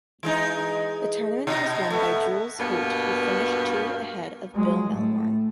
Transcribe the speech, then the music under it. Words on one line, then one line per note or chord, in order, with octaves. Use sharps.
The tournament was won by Jules Huot who finished two ahead of Bill Mehlhorn.
E3 G#3 D#4
B2 D#4
A3 B3
G2 B2 A#3 B3
F#3 G#3
A2 A3